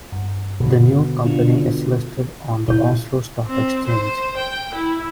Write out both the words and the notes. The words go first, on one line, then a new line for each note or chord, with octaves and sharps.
The new company is listed on the Oslo Stock Exchange.
G2
B2 D3
D4 F4
A#2 C#3 E4 G6
C4
C5
G5
E4